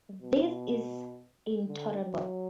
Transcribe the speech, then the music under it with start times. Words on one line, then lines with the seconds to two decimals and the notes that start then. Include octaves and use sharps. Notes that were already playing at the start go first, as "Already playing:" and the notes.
This is intolerable.
0.22 B2
1.68 D3
2.04 F#3